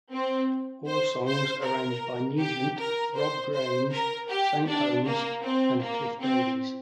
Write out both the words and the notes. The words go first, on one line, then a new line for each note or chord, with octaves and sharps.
All songs arranged by Nugent, Rob Grange, Saint Holmes and Cliff Davies.
C4
C5
C5
A#4
G4
A#4
C5
C5
A#4
G4
D4
A#3
C4
A#3
C4